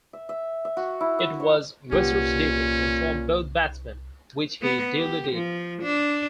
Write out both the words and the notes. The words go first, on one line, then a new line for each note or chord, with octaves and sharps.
It was Weser's duty to inform both batsmen which he duly did.
E5
E5
E5
F#4
E4
E5
C#5
C2 A#2 C#4 G4 B4 F#5
B3
G4
F3
D4